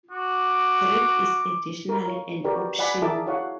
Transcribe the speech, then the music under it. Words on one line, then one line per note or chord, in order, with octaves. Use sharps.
Greek is additionally an option.
F#4 D6
A#4
C#5 F5
F#4 G4 A#4 B4 D5
D5 F#5 G#5 B5
E4 G#4 A#4 E5 A5 D6
F#4 C#5 F5 F#5